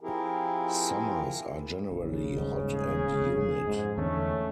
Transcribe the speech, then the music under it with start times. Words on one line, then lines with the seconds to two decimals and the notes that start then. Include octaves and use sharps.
Summers are generally hot and humid.
0.01 F3 C4 E4 G4 G#4 A#4
1.91 A#1 C#3
2.33 D#1 G#2
2.75 G#4
3.18 F1 F2
3.64 F2 G#2 G#3
3.98 E2 D3 G#3 A3 C#4